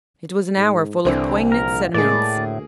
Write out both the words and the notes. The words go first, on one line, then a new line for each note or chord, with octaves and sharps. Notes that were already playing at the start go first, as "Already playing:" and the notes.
It was an hour full of poignant sentiments.
G#2
C2 D3 E3 C4 D4
A#1 A#4
A2 G#3 A#3 G#4 D5
D2